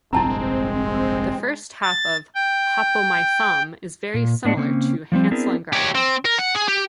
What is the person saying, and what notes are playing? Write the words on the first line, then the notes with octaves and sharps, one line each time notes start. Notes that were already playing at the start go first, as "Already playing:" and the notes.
The first half of "Hop-o'-My-Thumb" is very similar to "Hansel and Gretel".
F1 A#1 G2 G#3 C4 E4 A5 A#5
A6
G5
A#2
A2 B3 D4 D#5 F#5
C#3 A#3 C4 C#4
F3 G3 A#3 C4
B3 C4 D4 E4 G#4 A#4
G4 C#5
C4
A#4
F#5
G#4
G4